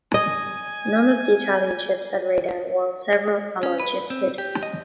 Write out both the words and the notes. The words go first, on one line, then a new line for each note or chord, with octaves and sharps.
None of the Italian ships had radar, while several Allied ships did.
D#5 G#5
C#4
B4
C4
G4
D#5